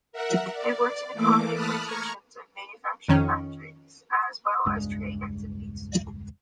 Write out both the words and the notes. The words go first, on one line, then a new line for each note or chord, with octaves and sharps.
They worked in coffee plantations and in manufacturing factories, as well as trading activities.
A#4 E5 F#5
D5
E3 A3 A#3 D6
A5 B5 D#6 F6 F#6
A#5 C#6 F6 G#6
F2 D#3 C#4
E1 C#2 G2 G#3